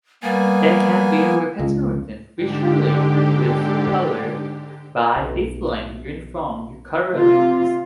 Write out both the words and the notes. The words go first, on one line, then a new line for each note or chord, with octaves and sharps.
They can be represented visually with colors by different uniform colorings.
G3 A#3 B3 G#5
C#2
G#2 D3 G4
B1
C3 F4